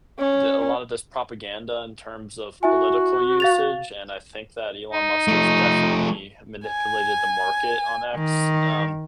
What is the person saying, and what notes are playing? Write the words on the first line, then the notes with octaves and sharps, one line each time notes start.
that a lot of this propaganda in terms of political usage, and I think that Elon Musk has definitely manipulated the market on X, um,
C#4
E4 F#4 E5 G#5
F5 A6 F7
D#4
F3 A3
G#5
D#3